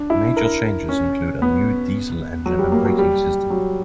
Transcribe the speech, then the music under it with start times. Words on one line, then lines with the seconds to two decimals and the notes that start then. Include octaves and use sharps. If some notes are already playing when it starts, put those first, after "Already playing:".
Major changes include a new diesel engine and braking system.
Already playing: D4
0.10 E4
0.37 A#4
0.89 C#4
1.42 B3
2.46 F#3
2.59 G3
2.72 A#3
2.85 F#3
2.98 G3
3.50 F#3